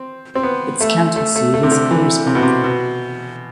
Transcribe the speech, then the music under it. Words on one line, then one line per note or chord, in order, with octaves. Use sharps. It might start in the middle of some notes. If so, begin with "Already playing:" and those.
Its county seat is Petersburg.
Already playing: C4
C4
B3
A3
A3
A3
A3
C3
D3
E3
C3
B2
C3
B2